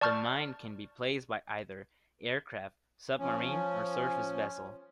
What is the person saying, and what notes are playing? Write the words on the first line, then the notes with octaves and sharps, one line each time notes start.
The mine can be placed by either aircraft, submarine or surface vessel.
D5 A5 C#6 F6 G6 A6
F3 C#4